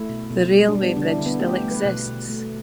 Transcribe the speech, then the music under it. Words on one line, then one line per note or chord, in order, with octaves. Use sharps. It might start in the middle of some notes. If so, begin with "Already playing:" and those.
The railway bridge still exists.
Already playing: A3 E4
B2
B2
G3
D4
G3
B3
D3 D4
E4
D3
B3
A3 G4
A3
B4
B2
B2
A3